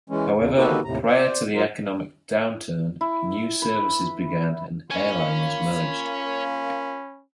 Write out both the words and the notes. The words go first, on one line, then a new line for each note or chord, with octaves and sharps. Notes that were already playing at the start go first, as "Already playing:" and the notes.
However, prior to the economic downturn, new services began and airliners merged.
E3 G#3 C#4
E2 C#3
A#3 D#4 F#4 G4 A4 B4
D#2 A2 C3 A#5
C5 D5
F#3 D#4 F4 A#4
E4
B4
A#3 F4 C#5 G#5 B5
C#4